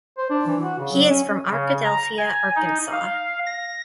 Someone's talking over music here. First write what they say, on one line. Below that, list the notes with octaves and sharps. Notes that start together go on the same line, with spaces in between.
He is from Arkadelphia, Arkansas.
C5
D4
E3
F#4
C#3
F#3
C#4
C#3
A#5
G#5
D#4
F5
A#6